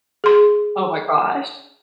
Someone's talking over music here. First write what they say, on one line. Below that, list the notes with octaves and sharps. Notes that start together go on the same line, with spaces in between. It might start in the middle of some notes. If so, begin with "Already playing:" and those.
Oh my gosh.
G#4 C6